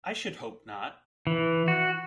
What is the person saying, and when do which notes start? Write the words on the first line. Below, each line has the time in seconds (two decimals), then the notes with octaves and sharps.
I should hope not!
1.27 E3
1.68 F#4